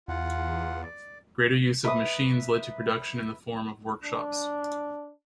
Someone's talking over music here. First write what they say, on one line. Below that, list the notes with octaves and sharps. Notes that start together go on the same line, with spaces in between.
Greater use of machines led to production in the form of workshops.
E2 F4 F#5
D5
B4 E5 D#6
D4